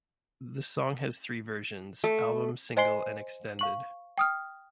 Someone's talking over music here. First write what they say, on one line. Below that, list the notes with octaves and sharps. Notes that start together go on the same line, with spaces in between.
The song has three versions: album, single and extended.
A3
C5 D#5 G#5 C6 C7 G7
F5 C#6 F#7
G5 D#6 F6